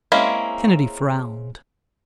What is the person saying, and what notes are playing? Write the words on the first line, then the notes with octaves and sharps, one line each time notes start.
Kennedy frowned.
G#3 A#3 C4 C#4 E4